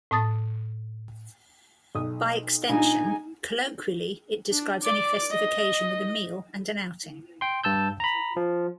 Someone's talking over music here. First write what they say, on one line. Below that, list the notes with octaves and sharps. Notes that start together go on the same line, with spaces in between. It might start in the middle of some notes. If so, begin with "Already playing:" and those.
By extension, colloquially, it describes any festive occasion with a meal and an outing.
A2 A5 D#6 A6
B1 D#6
A#2 D4 D#4 G#5
D4
D5 D6
D#5
G5 C6
G2 A5 E6 G6
A#5 B5
F3